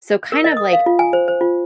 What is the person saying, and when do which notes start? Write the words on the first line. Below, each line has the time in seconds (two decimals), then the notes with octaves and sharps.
So, kind of, like,
0.32 A#4
0.44 D#5
0.57 D#6
0.73 F5
0.86 F4
0.99 G#5
1.13 C5
1.28 C5
1.41 F4